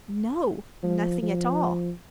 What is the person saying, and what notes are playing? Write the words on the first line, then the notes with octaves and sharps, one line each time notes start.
"No, nothing at all."
F3
F3